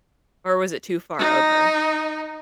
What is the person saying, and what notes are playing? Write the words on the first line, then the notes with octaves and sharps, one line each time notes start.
Or was it too far over?
D#4